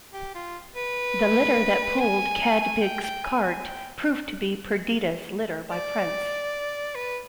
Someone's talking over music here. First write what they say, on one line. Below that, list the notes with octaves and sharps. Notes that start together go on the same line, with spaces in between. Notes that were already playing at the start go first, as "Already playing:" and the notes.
The litter that pulled Cadpig's cart proved to be Perdita's litter by Prince.
G4
F4
B4
G#5
G#5
G5
G5
G#5
G#5
G5
D5
B4